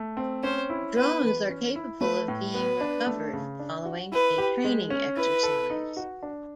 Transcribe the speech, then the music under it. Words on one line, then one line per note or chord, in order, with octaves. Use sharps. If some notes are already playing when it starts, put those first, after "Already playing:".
Drones are capable of being recovered following a training exercise.
Already playing: A3
C4
C#4 C5
E4
B3 B4
E3
C#4
E4
A3 B4
A2
B3 B4
D4
A3
C#3
D4
F#4
E4 B4
G4
G#3
C#4
E4 B4
A4
D#4
F#4
D4